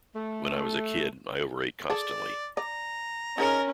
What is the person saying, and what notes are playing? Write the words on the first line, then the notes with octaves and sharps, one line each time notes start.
When I was a kid, I overate constantly.
A3
G#4 A4 D5
D5 A#5
C#4 D#4 G#4 A#4